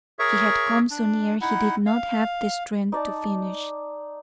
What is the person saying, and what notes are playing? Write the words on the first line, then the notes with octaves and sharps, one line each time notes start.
She had come so near he did not have the strength to finish.
G#4 A#4 C#5 E5 C#6
D4
D#4 E4 F#5
F5
D#4 D5 A5